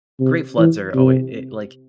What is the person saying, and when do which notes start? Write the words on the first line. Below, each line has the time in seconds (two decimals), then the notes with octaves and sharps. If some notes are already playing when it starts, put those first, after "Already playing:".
Great floods are always e like
0.20 C3
0.58 E3
0.95 C3